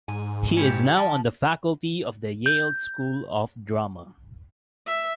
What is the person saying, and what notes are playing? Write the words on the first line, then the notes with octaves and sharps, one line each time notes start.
He is now on the faculty of the Yale School of Drama.
G#2 G#5
C#4 E4 G4
F3
G6
E5